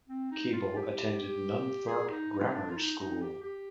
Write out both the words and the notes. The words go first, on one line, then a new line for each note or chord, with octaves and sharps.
Cable attended Nunthorpe Grammar School.
C4
D#4
F4
G4
G#4
D#4
D#4
F4
D#4
D4
F4
D#4
D#4
G4
G4